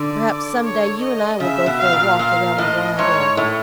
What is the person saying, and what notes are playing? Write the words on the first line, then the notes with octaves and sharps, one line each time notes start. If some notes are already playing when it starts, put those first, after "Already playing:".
Perhaps some day you and I will go for a walk round the wide earth.'
Already playing: D3 D5
C#5
D#5
C#3 E5
B2
F5
A#2
A#2 F5
A2 D#5
G#2 C#5
A2